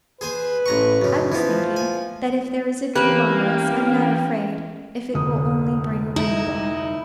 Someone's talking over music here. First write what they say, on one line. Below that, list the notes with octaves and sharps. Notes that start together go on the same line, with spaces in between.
I was thinking, that if there is a doom on us, I am not afraid, if it will only bring a rainbow.'
G#4 B4 C5 G#5
A1 A#5 C#6
F#2 C#3
E3 F3 B3
G#5
E3 A#3 C#4 G4 B4
F1 D2 D#6
D#4 E4